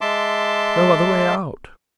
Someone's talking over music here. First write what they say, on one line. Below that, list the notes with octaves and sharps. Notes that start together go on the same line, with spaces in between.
No other way out.
G#3 E5 A5 C6 D6